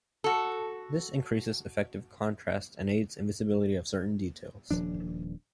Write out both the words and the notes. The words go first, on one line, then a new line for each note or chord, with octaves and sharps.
This increases effective contrast and aids in visibility of certain details.
F#4 A4
D#1 F3 D4